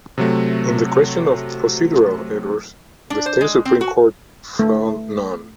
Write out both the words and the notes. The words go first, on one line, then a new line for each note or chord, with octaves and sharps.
In the question of procedural errors, the state Supreme Court found none.
C3 F#3 A3
D4
C5
G#3
C4
F#4
A3